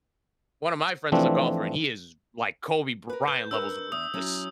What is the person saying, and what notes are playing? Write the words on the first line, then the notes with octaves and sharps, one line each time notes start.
One of my friends is a golfer, and he is like Kobe Bryant levels of ruthless.
E3 F3 A3 C4 D4
A#4 B4
B4 G6
D4 A#4 B4 E6
E2 D#6
F#3 C#4 E4